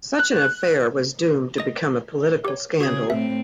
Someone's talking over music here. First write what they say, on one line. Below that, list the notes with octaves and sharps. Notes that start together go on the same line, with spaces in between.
Such an affair was doomed to become a political scandal.
F#6
D#5 D#6
G4 C#5
C#3 F#4 G#4 G#6
A2 C4 E5